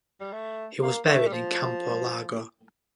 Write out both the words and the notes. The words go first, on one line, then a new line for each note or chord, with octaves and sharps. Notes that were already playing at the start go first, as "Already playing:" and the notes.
He was buried in Campo Largo.
G3
A3
A#3
A3
G3
F3